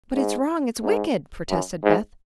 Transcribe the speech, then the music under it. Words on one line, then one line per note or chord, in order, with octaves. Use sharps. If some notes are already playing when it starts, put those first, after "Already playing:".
"But it's wrong--it's wicked!" protested Beth.
G#2
G#2
F#2
G#2